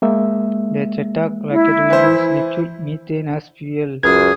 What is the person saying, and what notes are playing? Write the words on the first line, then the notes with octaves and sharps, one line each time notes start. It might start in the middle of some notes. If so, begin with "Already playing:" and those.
The Chetak rocket will use liquid methane as fuel.
G#3 A#3 E5
E4
E3 C5
C#2 F#2 G#4 G#6